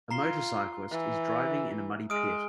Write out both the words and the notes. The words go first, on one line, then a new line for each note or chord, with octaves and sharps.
A motorcyclist is driving in a muddy pit.
F4 A#5 C7 G7
E3
G#3 D#6 F6 D7